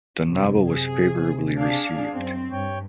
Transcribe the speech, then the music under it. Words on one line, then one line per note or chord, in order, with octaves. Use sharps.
The novel was favorably received.
F#2 C3
G#4
D4 G#4 F5
F#2 C4
G2 C#5 G5